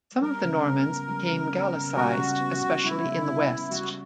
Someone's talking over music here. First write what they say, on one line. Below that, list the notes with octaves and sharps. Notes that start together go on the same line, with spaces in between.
Some of the Normans became Gaelicised, especially in the West.
G3 A#4
C#3
B3
C#3
G3
C#3
B3
C#3
G3 F#4
C#3
B3
C#3
G3 E4
C#3
B3
C#3
G3 F#4